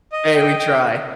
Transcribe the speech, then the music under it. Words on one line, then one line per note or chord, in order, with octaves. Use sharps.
hey, we try.
D#5
G5
G5